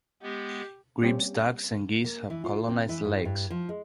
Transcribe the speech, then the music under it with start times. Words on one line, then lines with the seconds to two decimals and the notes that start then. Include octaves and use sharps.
Grebes, ducks and geese have colonised the lakes.
0.23 G#3 B3 G4
1.03 G3 A#3 C4 C#4 G4
2.05 A#3
2.30 E3
2.44 F4
2.68 C4
2.89 E3
3.05 G2
3.25 G2
3.50 F3
3.69 G#3